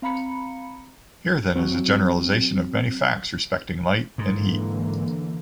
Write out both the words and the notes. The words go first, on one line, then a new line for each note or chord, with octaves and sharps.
Here then is a generalization of many facts respecting light and heat.
C4 F5 A#5 B5 C#7
F#3 C4
G#2 D3 E3 A#3